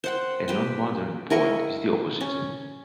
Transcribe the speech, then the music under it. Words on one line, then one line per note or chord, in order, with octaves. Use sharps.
A non-wandering point is the opposite.
C5 F#5 G5
G4 B4 G5
E4 A#4 D#5 C#6
C#4